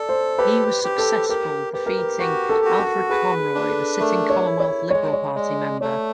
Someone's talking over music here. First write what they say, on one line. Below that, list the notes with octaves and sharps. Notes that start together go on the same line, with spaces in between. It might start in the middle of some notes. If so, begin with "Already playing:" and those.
He was successful, defeating Alfred Conroy, the sitting Commonwealth Liberal Party member.
Already playing: A4 D5
C5
G4 B4
G4
A4
G4 A#4
G4 B4
A#4
B4
F#4 A#4
A4
F#4
A4
G#4 B4
G#4
D4
A4
A3 A#4
C#5
E4
C#5
G#3 C#5
C#5
G#3 D5
C#5
A3 C#5